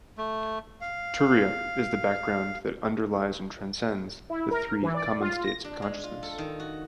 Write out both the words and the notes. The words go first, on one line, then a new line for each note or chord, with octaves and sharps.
Turiya is the background that underlies and transcends the three common states of consciousness.
A3
F5
E4
A#4
E3
D5
F4
A#6
D4
G#3
F4
A4
D#3
F#4